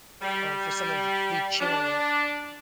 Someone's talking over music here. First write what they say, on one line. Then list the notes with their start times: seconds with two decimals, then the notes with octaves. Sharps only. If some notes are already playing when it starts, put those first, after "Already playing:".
um, for someone to be chewing it.
0.22 G3
1.61 D4